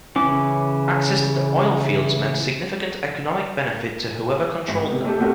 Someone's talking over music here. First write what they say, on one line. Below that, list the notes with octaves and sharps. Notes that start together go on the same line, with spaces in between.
Access to the oil fields meant significant economic benefit to whoever controlled them.
C#3 E3 C#4 D6
G#1
C3
A3 D#4 G4 A4
A#2 A3 C4 F#4 G4 A#4